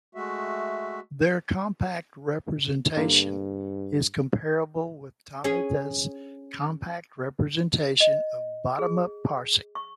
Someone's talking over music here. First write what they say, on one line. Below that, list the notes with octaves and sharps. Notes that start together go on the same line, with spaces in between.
Their compact representation is comparable with Tomita’s compact representation of bottom-up parsing.
G#3 A3 F#4 E5
G2 D3 A#3
C#4 G#4
D#5
G#4
C#6